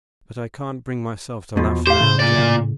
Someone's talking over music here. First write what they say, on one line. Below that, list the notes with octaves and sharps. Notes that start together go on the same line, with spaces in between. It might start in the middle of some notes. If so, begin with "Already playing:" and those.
But I can't bring myself to laugh now, Jack.
B1 E2 B2 F3
G4 C5 F5
A2 C#3
A#2 D5
A2